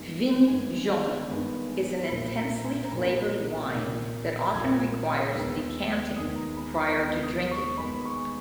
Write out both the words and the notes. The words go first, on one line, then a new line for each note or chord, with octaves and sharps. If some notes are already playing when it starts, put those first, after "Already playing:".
Vin jaune is an intensely flavored wine that often requires decanting prior to drinking.
Already playing: G2 D#3 G#3 B3
G2 D#3 G#3 B3 G#5
G2 D#3 G#3 B3 B5
B1 A#2 A#3 B5
A#5
A#5
G#5
A#5
B1 A#2 A#3 B5
B1 A#2 A#3
B1 A#2 A#3 G#6
D#2 D#3 G#3 B3 E6
D#2 D#3 G#3 B3 D#6
A#5
B5
C#6
D#2 D#3 G#3 B3
D#6
C#6
D#2 D#3 G#3 B3 B5
C#6